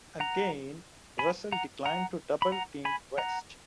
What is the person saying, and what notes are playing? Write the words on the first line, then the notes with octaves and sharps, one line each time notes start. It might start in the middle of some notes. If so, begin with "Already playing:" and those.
Again, Russell declined to double-team West.
F#5 A#5
G#5 B5
F#5 A#5
F#5 A#5
B5
F#5 A#5
G#5 B5
F#5 A#5